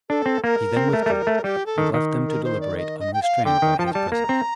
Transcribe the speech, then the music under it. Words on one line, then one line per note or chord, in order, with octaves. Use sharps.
He then withdrew, and left them to deliberate unrestrained by his presence.
D4 A4
C4
A#3 A#4
C4
A3
A3
G3
A3
G3 G4
A4
D#3
D#3
A#4
C5
D5
D#5
D#5
G5
F5
D3 G5
D#3
F3 A5
G5
G3 A5
A#3 A#5
C4